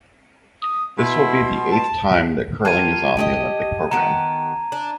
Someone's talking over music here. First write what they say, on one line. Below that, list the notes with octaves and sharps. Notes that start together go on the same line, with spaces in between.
This will be the eighth time that curling is on the Olympic program.
D#6
B2 E4 C6
A5
F4 G4 A#4 A5 G#6 D#7
G4 G#4 D#5
D#3 B3 G4 A#5
D4